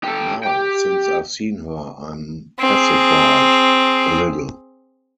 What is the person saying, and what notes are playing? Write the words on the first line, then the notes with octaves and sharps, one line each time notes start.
Now, since I’ve seen her, I’m pacified — a little.
G4 A4
G4 G5
C4 G#4